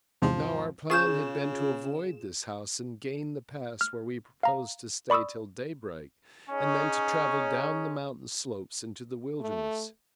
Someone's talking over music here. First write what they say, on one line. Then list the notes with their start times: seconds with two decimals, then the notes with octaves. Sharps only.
Now, our plan had been to avoid this house and gain the pass, where we proposed to stay till daybreak, and then to travel down the mountain slopes into the wilderness.
0.22 E2 G#2 C3 F3
0.90 C#3 F4 G#4 C#6 G6 E7
3.81 F6
4.43 F5 A#5
5.10 D5 B5 C#6 D#6 E6
6.50 C#4 D#4 G#4 C#5
9.40 A3